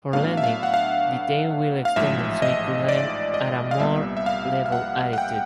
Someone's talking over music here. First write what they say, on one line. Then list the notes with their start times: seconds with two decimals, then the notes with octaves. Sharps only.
For landing the tailwheel extended so it could land at a more level attitude.
0.13 A2 F#3 B3 D4 F5
0.37 E5
0.44 F5
0.63 F#5
0.74 F5
1.85 F5
1.96 A1 G#2 F3 E5
2.42 D#5
2.89 D5
3.34 D#5
3.71 F5
3.80 C2 A#2 G3 B3 E5
4.17 E5
4.26 F5
4.66 F5
4.72 F#5
5.13 F#5
5.18 G5